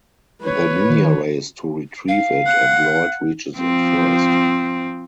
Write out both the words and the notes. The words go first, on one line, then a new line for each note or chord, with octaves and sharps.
The ninja race to retrieve it and Lloyd reaches it first.
B4 C#5
D#3
F5
F#5
F3 C4